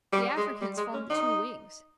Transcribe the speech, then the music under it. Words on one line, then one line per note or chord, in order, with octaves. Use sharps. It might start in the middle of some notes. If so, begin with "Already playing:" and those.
The Africans formed the two wings.
G3
G#3
G3
G#3
C#4
D#4